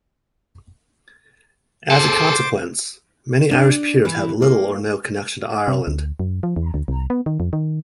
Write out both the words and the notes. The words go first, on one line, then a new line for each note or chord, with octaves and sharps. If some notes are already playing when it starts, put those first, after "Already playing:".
As a consequence, many Irish peers had little or no connection to Ireland.
G#4 A4 C5 D6 A6
D4
E3
A#3
C3
D2
F#2
F3
E2
D2
C2
B3
D#3
F2
D#3